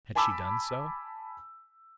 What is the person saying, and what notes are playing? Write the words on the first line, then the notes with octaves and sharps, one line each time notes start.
Had she done so?
G#5 A5 B5 D6 E6